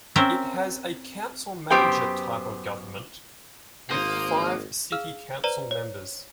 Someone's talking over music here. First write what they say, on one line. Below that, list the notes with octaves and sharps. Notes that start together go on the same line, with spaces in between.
It has a council manager type of government with five city council members.
C4 C#4 A#4 C5 E5
F#2 B3 G4 C5 G5
G#1 A#3 C5 D#6
G#4 F5 E6 F6
B4 C5 D5 A#5 D#7
C#5